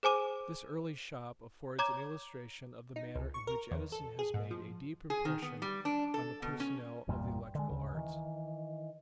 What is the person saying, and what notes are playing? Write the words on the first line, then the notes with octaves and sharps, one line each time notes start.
This early shop affords an illustration of the manner in which Edison has made a deep impression on the personnel of the electrical arts.
G#4 C5 G#5 D6 D#7
C#5 A#5 D6 G#6
D#4
C#2
C#6
A#4
E2
A4
G#4
G#2
F3
G#4
D#3
B3
G3
D4
A4
B2
C#4
G1 E2 A#2 G3
D3 G#3
D2 C#3
D#3 E3